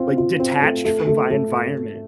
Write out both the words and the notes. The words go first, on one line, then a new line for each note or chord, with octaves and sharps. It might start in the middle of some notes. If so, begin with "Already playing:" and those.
like, detached from my environment.
Already playing: C4 F4
F4
C4
A3
A3
A3
A3